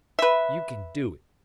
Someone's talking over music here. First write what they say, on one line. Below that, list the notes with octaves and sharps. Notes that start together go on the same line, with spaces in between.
You can do it.
B4 E5